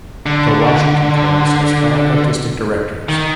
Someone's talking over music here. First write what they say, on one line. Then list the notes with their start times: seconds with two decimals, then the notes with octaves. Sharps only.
The Washington Chorus has had five artistic directors.
0.26 D3
3.09 D#3